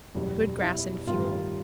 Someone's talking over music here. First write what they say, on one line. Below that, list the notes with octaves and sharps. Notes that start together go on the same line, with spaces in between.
Good grass and fuel.
F#1 E2 B2 G3
E4
A1 G2 D#3 G3 F4